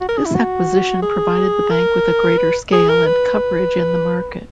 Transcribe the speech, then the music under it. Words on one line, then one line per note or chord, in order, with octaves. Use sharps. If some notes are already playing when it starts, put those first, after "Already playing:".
This acquisition provided the Bank with a greater scale and coverage in the market.
F#4
A#4
G#4
E4
F#4
G#4
A#4
B4
G#4
A#4
B4